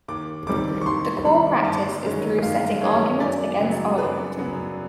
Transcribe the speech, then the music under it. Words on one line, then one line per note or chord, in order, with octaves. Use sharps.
The core practice is through setting argument against argument.
D#2 D6
D#3 G3 C4 D6
C#6
D#2 C6
D#3 G3 C4 B5
G1 A5
F#2 D#3 G#3 C#4
G1 F5
F#2 D#3 G#3 C#4 C#5
F#2 D5
C#3 F#3 B3
F#2 B4
C#3 F#3 B3